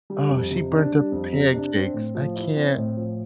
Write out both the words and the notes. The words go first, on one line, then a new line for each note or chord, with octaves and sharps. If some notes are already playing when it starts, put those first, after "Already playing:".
Oh, she burnt up the pancakes, I can't
G3
F2
C3
D4
G3
F2
C3
D4
C4
A2
F3
E4
C4
A2
F3